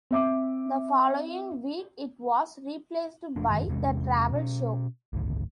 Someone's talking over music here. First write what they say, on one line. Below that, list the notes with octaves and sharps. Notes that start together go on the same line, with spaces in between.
The following week it was replaced by The Travel Show.
C4 E5 D6
F1 F3 D4
F#2 D3 D#3 G#3
E2 C3 G#3 C#4
B2 C#4
G1 C#2 A2 D#3